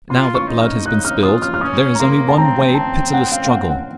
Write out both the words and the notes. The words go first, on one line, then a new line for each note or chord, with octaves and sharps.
But now that blood has been spilled there is only one way--pitiless struggle.
F4 C6
C#6
D#4
F6
D#4 F#6
F6
F4 D#6
F6
F6
C#4 D#6
A#5
A#3 C6
A5
C4 A#5
A5
F#5
F5
F5
F#5
F#5